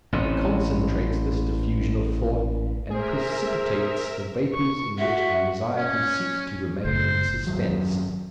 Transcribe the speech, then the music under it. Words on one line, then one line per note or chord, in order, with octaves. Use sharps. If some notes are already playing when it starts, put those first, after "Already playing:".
It concentrates this diffusion of thought, and precipitates the vapours in which anxiety seeks to remain in suspense.
A1 C3
G#4 A#4 C5 E5
C#6
F#4 E5
C#4
F#1 C5
G#1 F#2 F#3